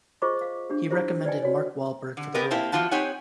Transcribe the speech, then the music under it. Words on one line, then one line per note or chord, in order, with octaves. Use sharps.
He recommended Mark Wahlberg for the role.
F4 G#4 C5 D#5 C#6 D6
F5
D4 G4
E4 F4 G4 C5 E5
B4 D5 D#5 G5 G#5
F#4 C#5
D3
B3 G4 A#4 B4 D#5
A#3 C4 E4 G4 C5 A5
E2 F3 F4 F#4 A5
C4 D#4 G4 C#5 F#5 G#5